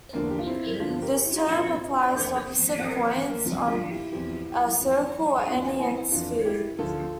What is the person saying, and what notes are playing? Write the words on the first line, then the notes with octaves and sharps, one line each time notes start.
This term applies to opposite points on a circle or any n-sphere.
E2 D3 F3 A#3 D4
G4
F4
C4 E4
G2 D3 F3 D4 F4
C5
G4 A#4
E4 G4
E4
C2 A#2 F3 D4 F4
C4 E4
D4 F4
E2 C3 F3 A#3 D4
C4
C2 C3 F3 C4
A#3
C4
A#3
D2 C3 F3
D4 F4
E4 G4
E2 C3 F3 E4 G4
E2 C3 F3
E2 C3 E3 D4 F4
C4 E4
F2 E3 D4 F4
E4 G4
D2 D3 F3 F4 A4